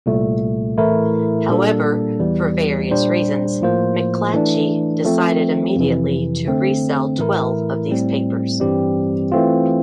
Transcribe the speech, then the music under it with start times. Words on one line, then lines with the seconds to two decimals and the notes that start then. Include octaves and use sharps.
However, for various reasons, McClatchy decided immediately to resell twelve of these papers.
0.06 C2 A#2 A3
0.78 A2 E3 A3 E4 A#4
1.49 A#2 G3 A#3 D4 A4
2.20 E2 E3 G3
2.91 A#2 G3 D4 G4 C5
3.62 A2 F3 A#3 F4 C5
4.34 E3 A3 D4
5.05 F3 A3 C4
5.76 F2 C3 E3
6.46 D3 A3 C4
7.18 A2 E3 A3 E4 A#4
7.89 A2 G3 C4
8.60 G2 E3 G3 C4 G4
9.32 E3 A3 C4 F4